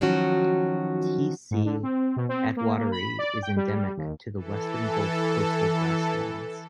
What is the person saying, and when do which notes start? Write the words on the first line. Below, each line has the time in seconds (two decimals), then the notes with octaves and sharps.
"T. c. attwateri" is endemic to the Western Gulf coastal grasslands.
0.01 D#3 F3 F#3 C#4 F#4
1.51 G#2
1.65 D3
1.83 C4
2.16 B2
2.29 C4
2.56 A#3
2.78 A#3
2.92 B5
3.19 D5
3.43 G5
3.56 G3
3.97 D#2
4.34 E3 A4